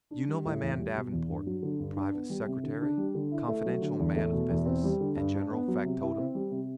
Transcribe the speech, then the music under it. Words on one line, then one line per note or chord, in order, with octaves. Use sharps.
You know my man Davenport--private secretary, confidential man of business, and general factotum.
D4
G3
A2
E2
G3
B2
E2
G2
F#3
D3
G2
D4
B3
G3
C3
D3
D4
G3
D3
E4
A3
F#3
D3
E2
A3
B2
E2
C4
G3
D3
G2
D4
B3
F#3
C3
E4
C4
G3
C3